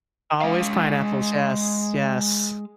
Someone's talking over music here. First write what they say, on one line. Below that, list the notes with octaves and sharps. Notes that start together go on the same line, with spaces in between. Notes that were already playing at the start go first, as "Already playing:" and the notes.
Always pineapples, yes, yes.
G#3 F5